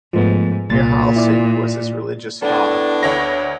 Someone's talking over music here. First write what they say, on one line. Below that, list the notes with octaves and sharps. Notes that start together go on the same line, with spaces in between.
Nihal Singh was his religious father.
G#2 F3 A3 B3
C2 A#2 A6
E4 D5
B3 D4 E4 A4
D2 C#5 A#6